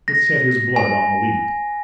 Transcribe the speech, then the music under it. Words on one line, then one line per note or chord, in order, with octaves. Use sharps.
It set his blood on the leap.
A#6
G#5